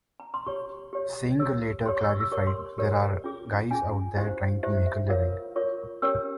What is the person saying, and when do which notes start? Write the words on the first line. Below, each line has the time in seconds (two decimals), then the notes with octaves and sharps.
Singh later clarified, There are guys out there trying to make a living.
0.20 A#5
0.34 C6
0.47 G4 C#5 C#6
0.93 G4 C#5
1.39 G4 C#5 E6
1.86 G4 C#5 C6
1.97 C#6
2.03 E6
2.09 C#6
2.20 E6
2.32 G4 A#4 C#5 C#6
2.47 C6
2.78 G4 A#4 C#5
3.24 C#4 F4 G#4
3.71 C#4 F4 G#4 G#5
4.17 E4 G4 C5 F5
4.63 E4 G4 C5 E5
4.87 E5
5.09 F4 A#4 C#5 F5
5.56 F4 A#4 C#5 C#6
6.02 C#4 G4 A#4 C#5 E6